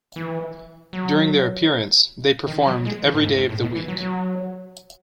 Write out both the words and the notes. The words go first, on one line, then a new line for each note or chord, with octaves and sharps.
During their appearance, they performed "Every Day of the Week".
E3
F#3
D#3
F#3
G#3
E3
A2
G#2
G#2
A2
B2
E3
F#3
F#3